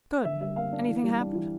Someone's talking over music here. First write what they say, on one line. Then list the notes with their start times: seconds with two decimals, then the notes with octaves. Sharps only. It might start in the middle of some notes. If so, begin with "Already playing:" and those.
Good. Anything happened?'
0.25 D3 E5
0.41 G3 E5
0.56 A#3 F5
0.72 D4
0.88 E3
1.04 G3
1.20 D4
1.35 E3